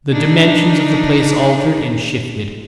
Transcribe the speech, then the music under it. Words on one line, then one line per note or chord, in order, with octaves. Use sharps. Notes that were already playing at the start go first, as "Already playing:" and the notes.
The dimensions of the place altered and shifted.
D4 D#4